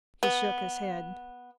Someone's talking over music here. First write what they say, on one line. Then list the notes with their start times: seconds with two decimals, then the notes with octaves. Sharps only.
He shook his head.
0.23 B3